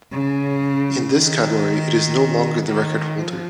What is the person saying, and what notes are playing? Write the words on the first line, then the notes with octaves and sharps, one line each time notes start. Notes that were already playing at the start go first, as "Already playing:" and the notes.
In this category it is no longer the record-holder.
C#3
D#3
D#3
F3